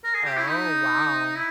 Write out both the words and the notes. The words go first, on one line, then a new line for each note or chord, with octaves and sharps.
Oh, wow.
A#4
G#4
G4
E4
D#4
E4